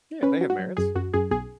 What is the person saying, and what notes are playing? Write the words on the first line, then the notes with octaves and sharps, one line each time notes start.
Yeah, they have merits.
C#4 B4
F#3
F#4
F#3
F#2 G#4
F#2 F#4
F#2 G#4
B1 G#4